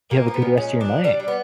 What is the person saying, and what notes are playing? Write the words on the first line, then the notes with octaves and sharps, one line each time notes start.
You have a good rest of your night.
A#2 A#3
F3 A#3
B3
A#2
G#3 C#4
A#2
D4
F3
G3 D4
G3
B3